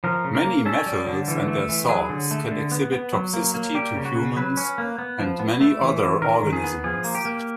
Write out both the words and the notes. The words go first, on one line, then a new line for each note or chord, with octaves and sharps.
Many metals and their salts can exhibit toxicity to humans and many other organisms.
F3 A#4
C#3
A#4
A#3
C#4 A4
G3
D3
E3
A3
E3
F#3 G#4
D3
A3
D3
B3
B3
F#3
A#3
A#3
G3 G4
C#3
F#4
C#3
F#3 B4
C#4
A#3
B3
F3
B3
A3
E3
E3
D#3 A#4
D#3
G#4
B3
F3 G#4
A#3
G4
A#3